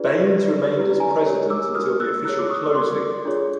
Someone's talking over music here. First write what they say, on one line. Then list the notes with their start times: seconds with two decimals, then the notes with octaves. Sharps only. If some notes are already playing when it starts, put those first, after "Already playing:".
Baines remained as president until the official closing.
Already playing: D4 F4 G#4 B4 D5
0.25 G4 B4 D5
0.75 E4 G4 B4 D5
1.00 G#5 A#5
1.25 D4 G4 A#4 C#5
1.50 D6 E6
1.75 D4 F#4 A#4 D#6 F6
2.00 E6 F#6
2.25 E4 G#4 C#5 E6 F#6
2.39 D6
2.50 C#6 D#6
2.75 F#4 A#4 D5 C6 D6
3.25 D4 F4 G#4 C#5